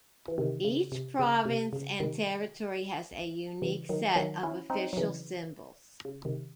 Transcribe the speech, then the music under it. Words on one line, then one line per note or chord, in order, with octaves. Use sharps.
Each province and territory has a unique set of official symbols.
E3
C3 D#3
C#3
C3
C#3
C3
C#3
C3 D#3
C#3 E3
D#3 F#3
D#3 F#3
C#4 E4
C4 D#4
F#3
C#3 E3
C#3
C3 D#3